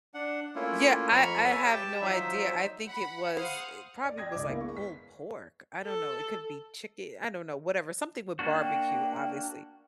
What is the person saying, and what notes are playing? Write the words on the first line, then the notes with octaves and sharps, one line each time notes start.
Yeah, I I have no idea, I think it was it probably was, like, pulled pork, I don't know, it could be chicken, I don't know whatever something with barbecue, obviously.
D4 F#5
A3 A#3 C#4 E4 F4
F2 A#5 B5 C#6 F6
B4 C#5 E5 G#5 A5
G4 G5 A5
F3 F#3 D#4 C5 E5
F#5 B5
G#4 C5 F5 F#5 D#6
D5
D5 G5 D#6 G#6 A#6
C#2 D4 D5 E5 D6
A#3 B3 E4 A#4 F5
G#3 C#6
B4 B6
A4
A#3 D4 F#4
G5